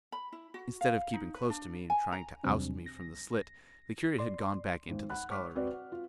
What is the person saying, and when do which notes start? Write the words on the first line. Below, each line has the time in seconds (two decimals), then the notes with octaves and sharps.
Instead of keeping close to me and trying to oust me from the slit, the curate had gone back into the scullery.
0.12 B5
0.32 E4
0.54 F#4
0.81 F5
1.14 D#4
1.35 B4
1.50 D4
1.90 G#5
2.12 A#5
2.44 E2 C3 F#3 G3 C4 D4
2.86 A#6
4.19 D5 C6
4.89 G#1
5.10 F#5 B5 F#6
5.30 C#5 C#6 D6 F6 B6
5.55 C4 F#4 B4 D5
5.71 F#5
5.92 F4